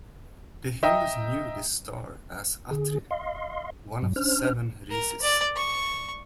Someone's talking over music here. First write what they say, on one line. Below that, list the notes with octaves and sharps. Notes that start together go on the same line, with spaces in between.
The Hindus knew this star as "Atri", one of the Seven Rishis.
D#5 E5 G5 A#5 D#6
D3 G#4
D#5 F5 C6
G2 F#3
C#4 D4 C5 F6
A#4
D5
C#6